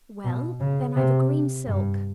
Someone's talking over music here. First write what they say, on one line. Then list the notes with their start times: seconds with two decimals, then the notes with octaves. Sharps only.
'Well! then I've a green silk.
0.24 B2
0.60 C#3
0.96 C3
1.67 G2